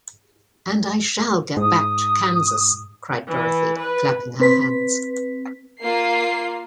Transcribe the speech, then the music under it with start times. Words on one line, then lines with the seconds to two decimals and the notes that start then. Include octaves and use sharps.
"And I shall get back to Kansas," cried Dorothy, clapping her hands.
1.57 G#2 D#6
3.28 E3
3.80 B4
4.40 C4 B4 B6
5.82 A#3 F4 C7